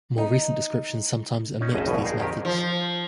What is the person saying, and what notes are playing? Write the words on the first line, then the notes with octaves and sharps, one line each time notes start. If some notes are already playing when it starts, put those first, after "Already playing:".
More recent descriptions sometimes omit these methods.
D#4
C#4 D#4
G#1 D#2 D#5 E5
A#1 G2 B2
D#4 G#4 A#4
F2 D#3 G4
F3